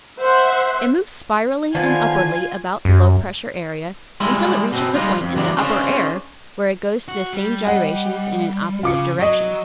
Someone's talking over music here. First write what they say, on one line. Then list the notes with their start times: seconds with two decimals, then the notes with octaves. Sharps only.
It moves spirally and upwardly about the low-pressure area until it reaches a point in the upper air, where it goes through the same gyrations in an opposite direction.
0.19 C5 E5 F#5
1.75 D3 D#3 F3 B3 F4 G#5
2.85 F#2
4.20 G3 G#3 E4
4.72 B2 C4
4.95 G3 G#3 D#4 F4
5.21 F2
5.36 E3 F#3 G3 A#3 D4
5.57 C#4 D4 F4 G#4 C5
7.08 F#4
7.33 G3
7.67 D#5 F#5
8.83 C#3 F4 D6 C#7
9.19 F#3 D#5 C#6